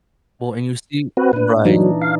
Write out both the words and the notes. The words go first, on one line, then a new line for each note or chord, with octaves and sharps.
Well, and you see right.
C4 F#4 B4
A#2 D4 B4
E3 F#3 D4 D#4
F5